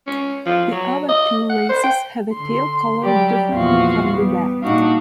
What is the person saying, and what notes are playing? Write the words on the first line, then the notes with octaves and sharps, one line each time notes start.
The other two races have the tail coloured differently from the back.
C#4
F3
F#3
D#5
F#5
C5
G5
D3 C6
F#3 G3 G4 D5
E2 A#2 F3 F4 F#4 F5
G3 B3
A#2 G3 D4 D#4 F#4 F5